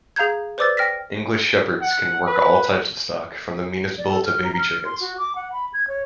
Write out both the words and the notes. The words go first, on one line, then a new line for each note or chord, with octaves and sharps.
English Shepherds can work all types of stock-from the meanest bull to baby chickens.
G#4 F5 A#5 G6 G#6
B4 C5 D5 D6 E6 A6
G5 F6 A#6 B6
F#5
B4
D5
A4
F6
A#5
F6
C6
F#4
D6
F#5
B5
G#6
C#5